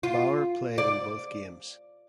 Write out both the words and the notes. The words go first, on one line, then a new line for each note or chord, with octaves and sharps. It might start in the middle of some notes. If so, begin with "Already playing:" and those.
Bauer played in both games.
F4
D5